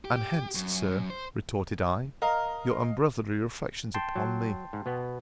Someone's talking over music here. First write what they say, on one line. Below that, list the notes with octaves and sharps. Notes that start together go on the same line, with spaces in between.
And hence, Sir, retorted I, your unbrotherly reflections upon me?
G4
F#2
F#2
C5
A#4 D#5 F5
G5 A5 C6
F#3
G#2
B2 B3